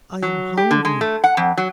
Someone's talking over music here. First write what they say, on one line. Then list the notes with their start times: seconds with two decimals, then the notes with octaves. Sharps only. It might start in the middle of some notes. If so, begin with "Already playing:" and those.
"I am hungry."
0.22 F#3
0.57 G4
0.71 D3
0.85 G#3
1.01 A3
1.24 F#5
1.37 F2
1.57 F#3